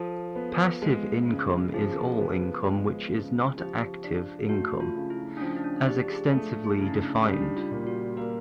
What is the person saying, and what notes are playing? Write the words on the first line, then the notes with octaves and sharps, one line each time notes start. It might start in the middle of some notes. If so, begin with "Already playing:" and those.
Passive income is all income which is not active income, as extensively defined.
Already playing: F3 A4
B3
G#3
C#3
F3 G#4
B3
G#3
C#3
F3 G4
D4
A3 F#4
F4
C#3
E4
D4
F3 C#4
D#4
D4
D4 G4
G#4
A3 A4
G#4
C#3 E4
D#4
D4
G3 D#4
D4
D#4
F4
A#2
F#4
A#3 A#4